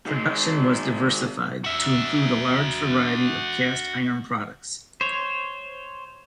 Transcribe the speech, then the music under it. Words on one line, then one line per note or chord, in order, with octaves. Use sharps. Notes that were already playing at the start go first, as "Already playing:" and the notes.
Production was diversified to include a large variety of cast iron products.
D#3 G#3
F#4 E5
C5 C#5